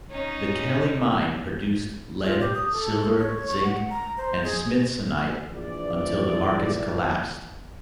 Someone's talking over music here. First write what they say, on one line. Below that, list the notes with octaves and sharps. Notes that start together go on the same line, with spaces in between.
The Kelly Mine produced lead, silver, zinc and smithsonite until the markets collapsed.
C#4 D#4
F4
G4
D#6
A4
C#5
C#6
F#5
A#5
C5
G#4
A#1 E3 D5